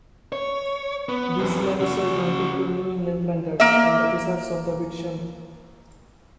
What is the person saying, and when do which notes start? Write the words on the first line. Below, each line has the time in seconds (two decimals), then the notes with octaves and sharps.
These lands were granted to New England Planters, and officers of the British army.
0.32 C#5
1.09 B3
1.39 F#2 C3
1.80 C#3 F#4
3.60 A#3 E5